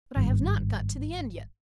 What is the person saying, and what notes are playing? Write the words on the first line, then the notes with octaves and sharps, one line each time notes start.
But I have not got to the end yet.
G#1 G2